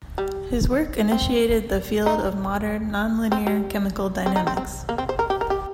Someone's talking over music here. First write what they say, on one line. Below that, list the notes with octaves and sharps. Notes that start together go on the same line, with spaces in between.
His work initiated the field of modern nonlinear chemical dynamics.
G3
C4
D#4
C4
G3
C4
D#4
C4
C4
A#3
C4
C5
A#4
G4
A#4
G4